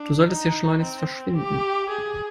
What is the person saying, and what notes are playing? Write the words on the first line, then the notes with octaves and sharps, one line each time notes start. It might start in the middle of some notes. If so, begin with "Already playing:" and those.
Du solltest hier schleunigst verschwinden.
Already playing: D4
D#4
C4
G4
G#4